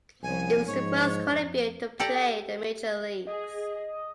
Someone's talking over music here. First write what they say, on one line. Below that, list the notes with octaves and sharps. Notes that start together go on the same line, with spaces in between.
He was the first Colombian to play in the Major Leagues.
C2 F3 B3 C#4 G#5
G#2 F3 C#5
F2
G4 A4 D5 A#5
G#4 D#5